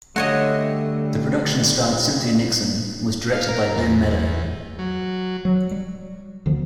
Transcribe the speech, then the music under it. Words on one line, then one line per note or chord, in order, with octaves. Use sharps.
The production starred Cynthia Nixon and was directed by Lynne Meadow.
D3 G3 A3 F#4 C#5 D#5
F5
A#4
E2
F#3
F#3
G3
D2 D#3 F3 B3